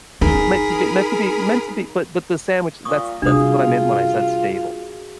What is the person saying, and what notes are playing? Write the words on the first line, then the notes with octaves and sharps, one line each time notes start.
w meant to be meant to be meant to be but but the sandwich that's that's what I meant when I said "stable".
D#4 G#4 A#4 B5
A#2 C#6 D#6
C3 G3 D4 F4 F#4 G#4 D#6